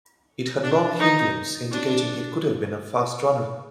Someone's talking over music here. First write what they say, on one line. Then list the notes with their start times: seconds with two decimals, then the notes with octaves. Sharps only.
It had long hindlimbs, indicating it could have been a fast runner.
0.63 D4
0.99 D#4
1.72 D4